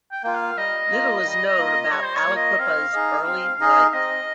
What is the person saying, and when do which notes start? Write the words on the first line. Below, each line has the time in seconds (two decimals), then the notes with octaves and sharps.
Little is known about Aliquippa's early life.
0.12 G5
0.23 A#3 F4 G5
0.35 F5
0.57 G3 D#5
0.91 A#3 F4
1.25 G3
1.57 A#3 F4
1.91 G3 C#5
2.04 C5
2.15 C#5
2.26 A#3 F4
2.36 D#5
2.59 C4 F5
2.92 D#4 G#4 D#5
3.27 C4
3.60 D#4 G#4 D#5
3.93 C4 D#5